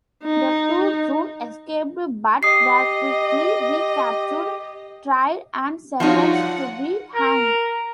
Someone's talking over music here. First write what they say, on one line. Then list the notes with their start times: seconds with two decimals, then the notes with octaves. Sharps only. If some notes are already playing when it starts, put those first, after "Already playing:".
The two soon escaped but were quickly recaptured, tried, and sentenced to be hanged.
0.23 D#4
2.43 G4 D#5 D#6 C7
6.00 F3 G3 D#4 F4 F#4 C#5
6.31 F#5
7.15 A#4